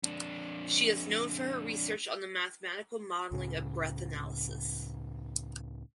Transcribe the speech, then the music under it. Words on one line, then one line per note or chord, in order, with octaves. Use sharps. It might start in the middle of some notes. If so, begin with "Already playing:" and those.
She is known for her research on the mathematical modeling of breath analysis.
F2 D4
C#2 A2 C#3